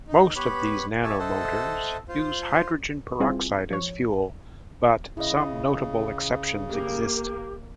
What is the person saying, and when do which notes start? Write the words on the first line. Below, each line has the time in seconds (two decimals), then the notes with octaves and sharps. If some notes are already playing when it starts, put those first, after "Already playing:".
Most of these nanomotors use hygrogen peroxide as fuel, but some notable exceptions exist.
0.08 D#4
0.36 B3 G4 B4 C#5 B5
1.03 G4 C#5 E5 G#5 A5
1.19 A4 C5 D#5 E5 F#5 A5
2.08 F4 C5
3.20 G3 C4 E4 F4 G#4
3.71 F3 C#5
5.17 C#3 E4 D#5
6.69 A#3 G4